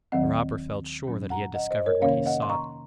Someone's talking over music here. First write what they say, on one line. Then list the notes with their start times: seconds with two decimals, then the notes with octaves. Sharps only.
The robber felt sure that he had discovered what he sought.
0.12 D#2 D#3 F#3 C4 D#5 F#5
1.07 A#2 F#3 C#4
1.30 F#5 A#5
1.54 D#5 F#5
1.71 C5 D#5
1.86 A#4 C#5
2.02 F2 C3 D#3 A#3 C#4 C#5 F5
2.26 D#5 F#5
2.42 C6
2.49 A#5 C#6